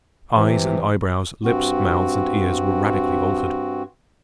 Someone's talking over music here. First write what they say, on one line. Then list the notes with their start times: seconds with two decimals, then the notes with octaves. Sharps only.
Eyes and eyebrows, lips, mouths, and ears, were radically altered.
0.35 C3 E3
1.44 G2 C4 F#4